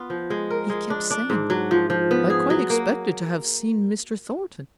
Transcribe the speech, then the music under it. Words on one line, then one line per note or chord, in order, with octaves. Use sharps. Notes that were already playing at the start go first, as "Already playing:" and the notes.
He kept saying, 'I quite expected to have seen Mr. Thornton.
Already playing: B3 F4
F3
G#3
A#4
G#3
D4
D4
G#2
F#3
F3
F3
B3
G#4
F#3
A#3